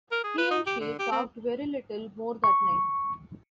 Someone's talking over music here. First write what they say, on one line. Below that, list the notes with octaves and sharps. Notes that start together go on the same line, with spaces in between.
He and she talked very little more that night.
A#4
G#4
B4
D#4
G4
D3
G4
C4
C#6